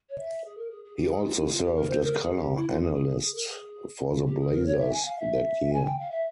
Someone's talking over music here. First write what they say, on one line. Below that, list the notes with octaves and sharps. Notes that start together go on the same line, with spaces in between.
He also served as color analyst for the Blazers that year.
C#5
E5
G#4
A#4
G#4
G#4
G4
G#4
F4
E4
G4
F4
G4
A#4
C5
A#4
G#4
G4
E4
F4
G#4
G#4
G#4
G#4
A#4
G#4
F4
G4
G#4
A#4
C#5
E5
G#5
F5
E5
G#5
G5
F5
E5